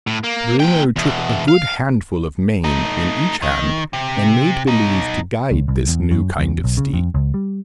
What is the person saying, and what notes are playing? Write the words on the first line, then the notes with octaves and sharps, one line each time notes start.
Bruno took a good handful of mane in each hand, and made believe to guide this new kind of steed.
A2
A#3
A#2 G5
E2 B2
F5
A3 D#4
D#3
C3
B2 D#4
C#2
C2
E2
F#2
E2
B1
C#3
F2
C#2
G3